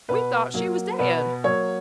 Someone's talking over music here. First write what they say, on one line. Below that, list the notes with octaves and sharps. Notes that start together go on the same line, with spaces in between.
We thought she was dead.
B2 B4
F#3 A#3
B2 B4
F#3 A#3 C#5